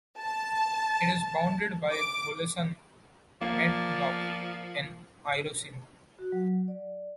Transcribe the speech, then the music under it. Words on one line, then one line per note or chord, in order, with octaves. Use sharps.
It is bounded by Bulusan, Matnog and Irosin.
A5
D6
F3 A#3 D5
F#4
F#3
D5